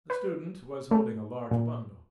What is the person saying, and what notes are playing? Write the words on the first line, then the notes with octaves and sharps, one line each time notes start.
The student was holding a large bundle.
B4
A3
A#2